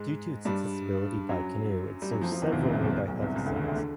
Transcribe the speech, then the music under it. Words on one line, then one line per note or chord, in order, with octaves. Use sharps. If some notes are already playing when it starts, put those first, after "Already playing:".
Due to its accessibility by canoe it served several nearby health zones.
Already playing: G#2 G#3
G2 G3
F#2 F#3
G3
F#2 F#3
F2 F3
F2 F3
E2 E3
D#2 D#3
C3
C#2 C#3
C2 C3
B1 B2
B1 B2
C2 C3
C#2 C#3
D2 D3
D#2 D#3
D2 D3
D3